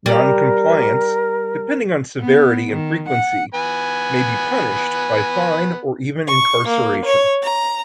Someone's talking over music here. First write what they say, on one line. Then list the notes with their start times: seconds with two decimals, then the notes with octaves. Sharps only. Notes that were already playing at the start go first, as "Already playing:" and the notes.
Noncompliance, depending on severity and frequency, may be punished by fine or even incarceration.
0.06 G3 A#4
2.20 B3
2.69 D#3
3.08 F#5
3.54 B3 G#5 B5
6.27 C#6
6.67 A#3
7.05 C#5
7.42 A#5